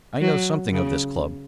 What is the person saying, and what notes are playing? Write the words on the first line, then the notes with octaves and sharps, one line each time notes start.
I know something of this club.
F#3
C#3